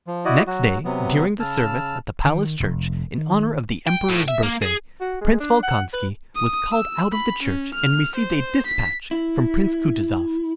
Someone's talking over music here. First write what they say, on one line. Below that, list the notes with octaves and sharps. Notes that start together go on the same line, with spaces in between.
Next day during the service at the palace church in honor of the Emperor's birthday, Prince Volkonski was called out of the church and received a dispatch from Prince Kutuzov.
F3
E4 F#4 D5 D#5
F#3 F#4
C3 F#3 B3
C#3 A5 E6 F6
D#3
F1
D#3
G5
A2
E5
A#3
G#4
F#4
G#3
D4
F#5
B4
D#6
E6
B5
C#4
F6
C5
B6
E4